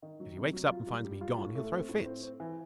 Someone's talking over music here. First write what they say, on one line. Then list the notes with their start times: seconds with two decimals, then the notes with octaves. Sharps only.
If he wakes up and finds me gone he'll throw fits.
0.02 D#3
0.20 F#3
0.36 C3
0.53 F#3
0.70 F4
0.87 G3
1.05 G3
1.21 F4
1.38 A2
1.55 A3
1.72 C4
1.89 A2
2.06 C4
2.23 C4
2.40 E3